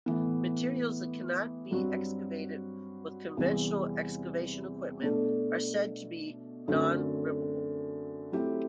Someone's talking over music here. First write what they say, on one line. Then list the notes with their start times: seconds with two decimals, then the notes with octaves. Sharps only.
Materials that cannot be excavated with conventional excavation equipment are said to be non-rippable.
0.06 A2 E3 B3
1.71 G2 F#3 C4 F#4
3.37 E2 C3 E3 G3 C4
5.02 B2 A3 D4 A4
6.68 F#2 D3 A3 C4 F#4
8.32 F#3 A3 C4 E4 G4